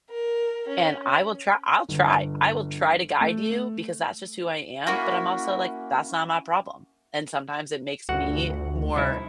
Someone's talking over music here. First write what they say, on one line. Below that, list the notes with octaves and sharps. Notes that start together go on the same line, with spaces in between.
And I will try I'll try. I will try to guide you because that's just who I am, but I'm also like, that's not my problem. And sometimes it makes me more
A#4
C#4
G1
A3
A#3 C#4 E4 F#4
G1 D2 F#4 F#5
C2 D#4 E4